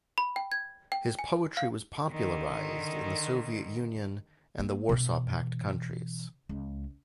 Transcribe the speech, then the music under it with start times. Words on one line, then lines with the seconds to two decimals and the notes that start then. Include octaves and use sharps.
His poetry was popularized in the Soviet Union and the Warsaw Pact countries.
0.18 B5
0.36 G5
0.52 G#6
0.92 G5
1.19 G#5
1.57 F5
2.12 D3 D#3
4.59 A#3
4.89 B2 E3
6.49 C#2